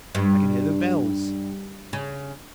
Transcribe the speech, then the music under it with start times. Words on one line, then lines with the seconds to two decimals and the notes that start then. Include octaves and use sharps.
I can hear the bells!...
0.15 G2
1.93 C#3